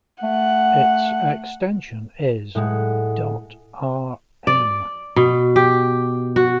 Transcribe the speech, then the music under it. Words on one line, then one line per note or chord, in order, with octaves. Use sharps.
Its extension is ".rm".
A3 F#5
A2 G#3 F#5
D5
B2
G4
F#4